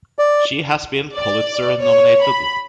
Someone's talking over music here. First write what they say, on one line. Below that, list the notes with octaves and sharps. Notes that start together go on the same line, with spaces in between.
She has been Pulitzer-nominated.
D5
D5
C#5
B5